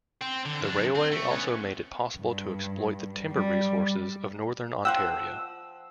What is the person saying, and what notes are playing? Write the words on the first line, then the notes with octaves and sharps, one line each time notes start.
The railway also made it possible to exploit the timber resources of Northern Ontario.
C4
D3
F#2 D4
C4
A3
B3 C#4
G2
G3
F3 F#5 G5 E6